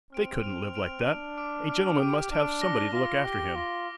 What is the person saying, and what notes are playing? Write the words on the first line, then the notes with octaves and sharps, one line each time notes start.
They couldn't live like that, a gentleman must have somebody to look after him.
C4 F6 D7 F7
F6 D7 F7
F6 D7 F7
D4 F6 D7 F7
D6 F6 D7
D6 F6 D7
G4 D6 F6 D7
D4 D6 F6 D7
D6 A#6 G7
F4 D6 A#6 G7
G4 D6 A#6 G7
F4 D6 A#6 G7